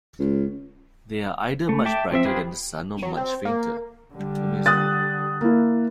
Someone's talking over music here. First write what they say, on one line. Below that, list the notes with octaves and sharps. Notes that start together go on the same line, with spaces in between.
They are either much brighter than the Sun, or much fainter.
C#2
A3
E5 G5 A5 D6
F3 C4 E5
F4 G4 G#4 B4 C5
F#3
C4
A#3
D3 G3
D#6 F#6 A6
A#3 E4